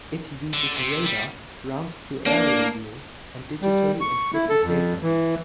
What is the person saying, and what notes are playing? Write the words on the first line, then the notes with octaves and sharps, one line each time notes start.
It uses radar, ground-to-air radio and digitally encrypted data links.
D3
C3
G3
A#3 D4
G3
C#6
E4
A4
F2
E3